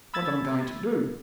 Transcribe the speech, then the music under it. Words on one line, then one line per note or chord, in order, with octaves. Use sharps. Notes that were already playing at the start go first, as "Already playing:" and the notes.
"What um going to do?"
B5 E6 G#6 A6